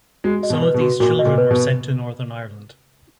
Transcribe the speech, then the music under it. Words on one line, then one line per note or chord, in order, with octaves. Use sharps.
Some of these children were sent to Northern Ireland.
G#3 F#4
D#5
B2
B4
B2
F#4
A#2 F#4
D#5
A#2
B4
B2